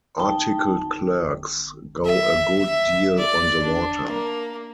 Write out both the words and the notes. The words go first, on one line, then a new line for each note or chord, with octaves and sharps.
Articled clerks go a good deal on the water.
D#4 G5 A5
E5
E5
D5
D4
A#3